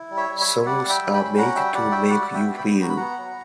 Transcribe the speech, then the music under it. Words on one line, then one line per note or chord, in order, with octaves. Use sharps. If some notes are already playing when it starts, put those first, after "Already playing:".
Songs are made to make you feel.
Already playing: E4
G3
C#5 E5
G3
C#5 E5
G3
G3 D5 F#5
G3
E5 G5
G3
G5 B5
C#4
F#4 F#5 A#5
G3 E5 G5
G3 D5 F#5
F#4 E5 G5
G3 D5 F#5
F#4
E5 G5
B3
G5 B5
B3
F#4 A#5
B5
B3 F#5 A#5
F#3